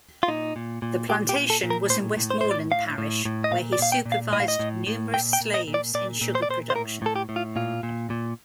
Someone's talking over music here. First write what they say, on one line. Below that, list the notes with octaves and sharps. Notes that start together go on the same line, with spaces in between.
The plantation was in Westmoreland Parish, where he supervised numerous slaves in sugar production.
F4
A#2 D#4
A#2
A#2
A#2 G4
G4
A#2
A4
A#2
A#4
A2 C5
A2
C5
A2 C5
D5
A2 F5
A2
A2
D#5
A#2 F5
D5
A#2 F5
G5
A#2
F5
A2 D#5
F5
D#5
A2
A2
A#2 G5
G5
A#2
D#5
A#2
D5
A#2 D5
A#2
C5
D5
A#2 C5
C5
A2 A#4
A2 A4
G4
A2
F4
A#2 F4
A#2
A#2